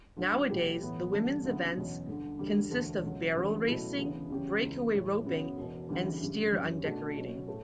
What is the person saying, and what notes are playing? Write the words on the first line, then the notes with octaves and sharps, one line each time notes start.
Nowadays the women's events consist of barrel racing, breakaway roping and steer undecorating.
D2 D3 F#3
B2 F#3 A3 E4 G4
A2 E3 B3
A1 G2 D3 G3 D4
D2 C#3 F#3 B3
E2 B2 F#3 C#4
G1 G2 D3
E1 D2 D3 G3
E1 D2 D3 A3
C#2 B2 F#3
E1 D2 C#3 E3 G3
B2 F#3 A3 C#4 E4
D2 C#3 E3 B3
E2 C#3 F#3 C#4 G4
C#2 C#3 E3
A2 E3 G3
F#2 C#3 F#3 B3
E1 E2 B2
D2 C#3 E3 G3 B3
G1 F#2 C#3 G3
F#1 F#2 C#3 G3 C#4
B2 A3 D4 F#4
B2 F#3 C#4
A2 A3